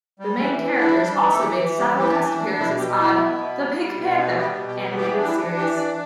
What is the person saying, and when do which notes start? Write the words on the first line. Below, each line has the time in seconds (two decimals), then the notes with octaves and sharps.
The main characters also made several guest appearances on "The Pink Panther" animated series.
0.20 G3
0.39 E3
0.59 E3
0.79 D4 E4
0.99 G3
1.19 E3
1.31 A4
1.38 E3 G4
1.59 E3
1.78 G3 G4
1.98 E3 G4
2.18 E3
2.38 D4
2.59 B2 E4
2.78 B2 G4
2.98 B3 E4
3.18 B2
3.38 B3
3.58 G3
3.77 G3
3.98 B2
4.17 B3
4.37 G3 G4
4.57 B2
4.67 G4
4.77 B3
4.97 E3 G4
5.17 D4
5.23 G4
5.27 E4
5.37 D4
5.56 E3 G4
5.77 D4 D5